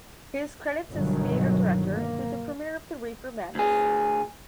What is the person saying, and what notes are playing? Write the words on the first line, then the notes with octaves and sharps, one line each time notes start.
His credits as a theater director include the premiere of the Reefer Madness!
G1 B2 D#3 F#3
A#3
D2 G#4